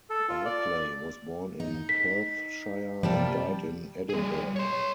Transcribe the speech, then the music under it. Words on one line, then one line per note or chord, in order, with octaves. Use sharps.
Barclay was born in Perthshire and died in Edinburgh.
A4
F4
D5
D#4
B6
C3 F3 G3 A#3 F4 G5 A5
G3 G#4
C#5 C6